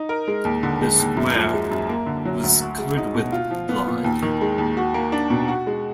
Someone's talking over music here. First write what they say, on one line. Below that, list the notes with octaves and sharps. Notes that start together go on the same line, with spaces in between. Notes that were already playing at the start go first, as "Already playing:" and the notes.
The square was covered with blood.
Already playing: D#4
A#4
G#3
D#2
D3
G#3
D#2
F#2
F3
G#3
F#2
A#3
D3
F#3
D2
F#4
G#3
D#4
B2
F4
F3
B3
A#2
D#2
D#3
G#3
D#2
F#4
A#3
D4
B2
F#4
G#3